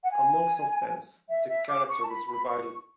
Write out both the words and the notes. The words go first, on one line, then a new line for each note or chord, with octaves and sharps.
Among some fans, the character was reviled.
F#5
G#5
E5
E5
D6
C#6
A5
B5
B5
C#6